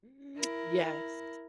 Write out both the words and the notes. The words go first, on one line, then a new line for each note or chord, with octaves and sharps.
Mm. Yes.
E4 A#4